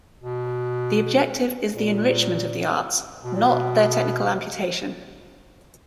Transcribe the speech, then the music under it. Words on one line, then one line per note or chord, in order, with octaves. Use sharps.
The objective is the enrichment of the arts, not their technical amputation.
B2
A#2
B2
A#2
B2